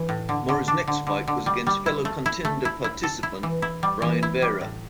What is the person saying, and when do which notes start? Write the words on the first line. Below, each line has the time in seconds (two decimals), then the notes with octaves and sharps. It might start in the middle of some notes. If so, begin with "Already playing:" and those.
Mora's next fight was against fellow Contender participant Brian Vera.
Already playing: E3
0.09 A2
0.29 D3
0.49 D3
0.68 D4
0.87 D3
1.07 D3
1.28 D3
1.46 G3
1.67 G3
1.86 E4
2.05 A3
2.26 E4
2.45 A3
2.65 E4
2.84 E4
3.03 A4
3.23 E4
3.43 E3
3.62 E4
3.83 G3
4.02 E3
4.23 E4
4.42 G3
4.61 A2